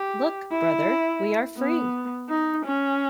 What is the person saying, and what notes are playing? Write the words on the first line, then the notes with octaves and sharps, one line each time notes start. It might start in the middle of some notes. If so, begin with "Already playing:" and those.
Look, brother, we are free!
Already playing: G4
E4
B3
D#4
C#4